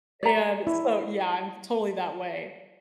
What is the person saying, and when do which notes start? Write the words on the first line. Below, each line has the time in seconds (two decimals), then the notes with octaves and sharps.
and so, yeah, I'm totally that way.
0.23 D5 A#5
0.67 E4